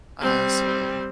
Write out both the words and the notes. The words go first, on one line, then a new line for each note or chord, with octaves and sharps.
I see.
G3 C4